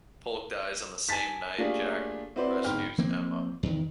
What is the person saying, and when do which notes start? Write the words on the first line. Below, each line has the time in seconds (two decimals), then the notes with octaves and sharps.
Polk dies on the same night Jack rescues Emma.
1.09 G#5 A5 A6 B6
1.58 A3 A#3 D4 F4 G4 G#4
2.36 C4 E4 F#4 B4 C5 D5
2.64 G1 G#2 G5 B5 F6
2.98 F3 A#3 C4
3.63 E2 D#3